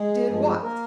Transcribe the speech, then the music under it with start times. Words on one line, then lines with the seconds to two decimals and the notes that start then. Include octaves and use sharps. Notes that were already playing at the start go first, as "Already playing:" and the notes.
"Did what?"
Already playing: G#3 G#4
0.28 G2 F3 G#3
0.63 A#3 A#4